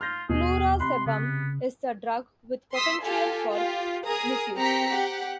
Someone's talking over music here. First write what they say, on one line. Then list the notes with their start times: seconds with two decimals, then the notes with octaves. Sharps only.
Flurazepam is a drug with potential for misuse.
0.01 F4 F6 G6 A#6
0.29 D#2 B2 G#4
0.80 C3 B5 C6 F#6
1.06 C#3 B3
2.73 C6 D#6 E6 B6
3.05 F4 G4 A4 G#5
3.54 F4 G4
4.08 G#4 A#4 A#5 D#6
4.57 C4 G4 G5 A#5 B6 C#7
4.89 G4 F#5